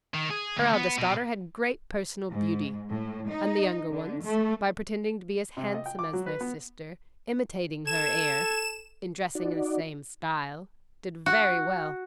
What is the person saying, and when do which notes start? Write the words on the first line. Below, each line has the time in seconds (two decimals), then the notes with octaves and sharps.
Her eldest daughter had great personal beauty, and the younger ones, by pretending to be as handsome as their sister, imitating her air, and dressing in the same style, did very well.
0.14 D#3
0.31 G#4
0.57 D2
0.74 B3
0.98 B2
2.31 G#2
2.90 A2
3.29 D#4
3.89 D3
4.24 A3
5.57 C3
5.74 D#5
5.86 G5
5.99 D6
6.13 F#3
6.26 B4
6.41 B3
7.87 A4 G#6 E7
9.35 D#4 F#4 D5
11.26 F#4